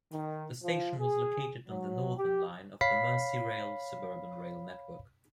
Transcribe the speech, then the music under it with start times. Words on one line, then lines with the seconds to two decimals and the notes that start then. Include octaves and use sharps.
The station was located on the Northern Line of the Merseyrail suburban rail network.
0.12 D#3
0.63 F3
0.99 G#4
1.68 F#3
2.17 G4
2.81 C#5 F5 B5 B6 C7